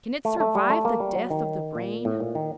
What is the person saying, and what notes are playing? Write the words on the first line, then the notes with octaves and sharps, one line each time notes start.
Can it survive the death of the brain?
A3
A3
G3
A3
A#3
G3
F#3
D#3
A#2
A2
A#2
D#3